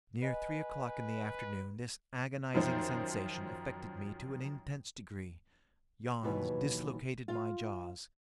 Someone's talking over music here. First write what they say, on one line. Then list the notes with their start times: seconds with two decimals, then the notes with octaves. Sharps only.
Near three o'clock in the afternoon, this agonizing sensation affected me to an intense degree. Yawns dislocated my jaws.
0.22 B4 D#5 G#5
2.54 F#2 D#3 F3 C5
6.23 D#2 B2 E3 F#3 B4
7.28 F4 F5